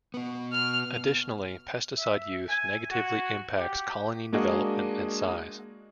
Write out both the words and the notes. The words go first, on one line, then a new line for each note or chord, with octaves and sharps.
Additionally, pesticide use negatively impacts colony development and size.
B2 B3
F6
E5
G#5
F#4
G4
G#3 A#3 D4 F#4 G#4 D#5